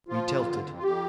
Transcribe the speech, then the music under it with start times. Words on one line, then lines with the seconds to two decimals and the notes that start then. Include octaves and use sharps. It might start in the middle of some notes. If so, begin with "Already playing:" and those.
We tilted.
0.08 F3 F4
0.28 F2
0.46 D3
0.65 F2
0.78 F4
0.83 F2 G4